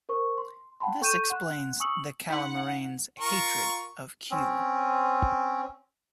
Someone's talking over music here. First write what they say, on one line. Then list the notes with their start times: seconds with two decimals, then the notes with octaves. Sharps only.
This explains the Calamarain's hatred of Q.
0.09 A#4 C5 C#6
0.38 C6
0.80 F#5 G5 A5 B5 C6
1.01 A4 C#6 G6 D#7 E7
1.30 F#5 C6 F#6
1.80 G#5 C#6 D#6 E6 C#7 F#7
2.30 D#4 F#5 C6
3.20 F4 A#4 C#6
4.31 C4 C#4